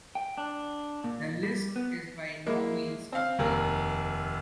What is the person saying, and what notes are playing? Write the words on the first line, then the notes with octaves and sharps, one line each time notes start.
The list is by no means complete.
G5
D4
A#2
G3
B3
G#3 A#3 E4
C4 F5
F1 D#2 A#4